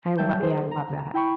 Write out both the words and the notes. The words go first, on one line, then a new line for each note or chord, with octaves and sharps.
I lo yeah, I love that.
F#3 G3 E5 G5 A5 G6
G#4 C5
A#5
E4 G5 B5 C#6